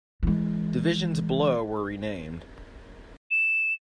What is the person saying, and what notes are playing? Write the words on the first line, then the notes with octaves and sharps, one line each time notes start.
Divisions below were renamed.
E3 G#3
E7